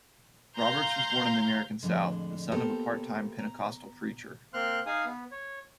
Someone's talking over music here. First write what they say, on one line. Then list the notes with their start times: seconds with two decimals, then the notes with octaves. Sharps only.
Roberts was born in the American South, the son of a part-time Pentecostal preacher.
0.57 F5 A#5 C6 G6
1.83 F2 A2 D3 G#3 D4
2.52 A#3 B3 G4 A4 A#4 C5
3.39 A#5
4.54 A#3 C4 C6 F6 F#6
4.86 D#4 G#4 F5 G#5 D#6
5.05 B3
5.31 C#5